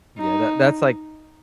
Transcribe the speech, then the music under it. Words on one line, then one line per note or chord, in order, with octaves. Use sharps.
Yeah. That that's like
D#4